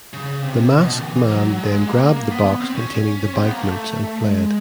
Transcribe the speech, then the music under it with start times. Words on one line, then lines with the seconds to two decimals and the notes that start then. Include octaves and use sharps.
The masked man then grabbed the box containing the bank notes and fled.
0.13 C#3
0.42 C3
0.82 B2
0.91 A#2
1.01 E3
1.30 F#3
1.59 G#3
1.88 A#3
2.17 A#3
2.31 B3
2.45 B3
2.61 C4
2.75 C#4
3.33 C4
3.42 B3
3.52 A#3
3.61 A3
4.19 G#3